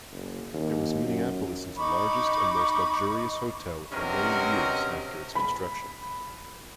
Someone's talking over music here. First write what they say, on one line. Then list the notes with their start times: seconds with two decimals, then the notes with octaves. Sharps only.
It was Minneapolis's largest and most luxurious hotel for many years after its construction.
0.12 F#1
0.54 D#2
1.06 F#2
1.77 D#4 B5 C#6 D6
3.92 G2 C3 F#3 C#4 A#4 D#5
5.35 B5